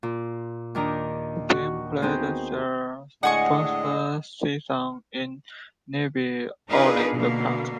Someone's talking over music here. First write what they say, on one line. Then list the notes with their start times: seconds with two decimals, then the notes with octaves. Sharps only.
The team played their first season in nearby Overland Park.
0.03 A#2
0.75 D#2 D#3 D4 A#5
1.49 F#4
2.02 B3 C4 D#4 G#4 C5
3.23 A2 D3 G#3 D#5 F#5 G#5 C#6
6.69 D4 D#4 F4 G#4 A#4 B4
7.13 B2 D3 A#3